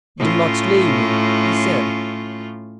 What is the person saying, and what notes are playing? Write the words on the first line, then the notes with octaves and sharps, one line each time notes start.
"Do not slay me," he said.
A2 C#4 F4